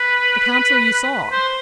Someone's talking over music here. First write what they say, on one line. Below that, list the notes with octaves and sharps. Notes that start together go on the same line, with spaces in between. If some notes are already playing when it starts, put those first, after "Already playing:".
"The Council you saw."
Already playing: B4
C5